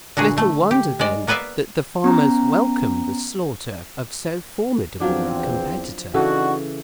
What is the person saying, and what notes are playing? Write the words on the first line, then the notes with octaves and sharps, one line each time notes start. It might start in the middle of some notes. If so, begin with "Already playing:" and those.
Little wonder then, that the farmers welcome the slaughter of so formidable a competitor!
A#2 D3 F#4 G#4
A3
G4
G#3 D5
A#3 B3 B4 D5 E5 F5
B3 C#4 A#5
E2 F3 F#3 C4 D4
C#3 E3 D4 D#4 F#4 A4